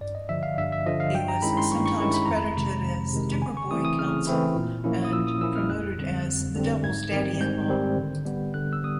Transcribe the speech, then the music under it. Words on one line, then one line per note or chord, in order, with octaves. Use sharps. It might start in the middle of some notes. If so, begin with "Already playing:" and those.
He was sometimes credited as Dipper Boy Council and promoted as "The Devil's Daddy-in-Law".
G2 D5
D#5
D3 F3 E5
F5
G2 E5
E5
D3 F3 D#5
F5
G2 G5
A#5
D#3 G#3 C#4 E4 B5
C6
G2 C#6
C#6
D#3 G#3 C#4 E4 C#6
B5
F2 A#5
B5
C3 D#3 G#3
F2
C3 D#3 G#3
C#3 G#5
C#6
E3 A3 C4 E4 D#6
D#6
C#3 F6
E3 A3 C4 E4
A#2
F3 A#3 C#4 E4
D#6
A#2 E6
D#6
F3 A#3 C#4 E4 E6
F6
F2 F#6
D3 G3 C4
F2
D3 G3 C4
G#2 G#6
D#3 G3 C4
G#2 G6
D#3 G3 C4
D3
G3 B3
D3 F#6
E6
G3 B3 D#6